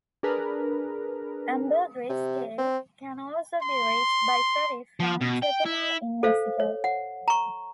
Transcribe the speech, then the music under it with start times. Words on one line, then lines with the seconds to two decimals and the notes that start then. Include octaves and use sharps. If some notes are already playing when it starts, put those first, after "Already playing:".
Ambergris Caye can also be reached by ferry from Chetumal in Mexico.
0.23 D4 G#4 A#4 B4
2.10 C3
2.58 C4
3.63 C6
5.00 F3
5.21 B2
5.43 G5
5.66 E4
6.23 A4 C5 F5
6.60 C#5
6.84 F#5
7.28 A#5 C#6